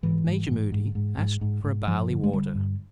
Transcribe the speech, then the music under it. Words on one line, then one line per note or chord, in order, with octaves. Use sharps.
Major Moody asked for barley-water.
G#2 E3
G#2
G#2
G#2
G#2
G#2
G#2
G#2
G2 F3
D3
G#3
D3 G3
G2